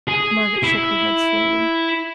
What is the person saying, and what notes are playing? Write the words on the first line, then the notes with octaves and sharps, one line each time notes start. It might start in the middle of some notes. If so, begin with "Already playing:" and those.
Margaret shook her head slowly.
G#4
E4